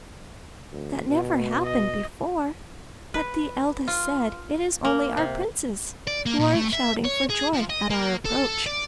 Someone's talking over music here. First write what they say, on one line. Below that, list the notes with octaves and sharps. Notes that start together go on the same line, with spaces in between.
That never happened before.' But the eldest said, 'It is only our princes, who are shouting for joy at our approach.'
D2
B2
D#5
B4
F4
A#3
C3
D5
A#3
A#2
A3
E5
C#5
G#4
F3
D#5
A#3
A4
D5